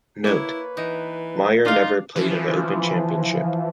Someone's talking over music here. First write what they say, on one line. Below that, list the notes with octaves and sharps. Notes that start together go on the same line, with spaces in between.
Note: Mayer never played in The Open Championship.
A#3 E4 B4 C#5
E3 D#4
D4 D#4 F4 F5
E3 F3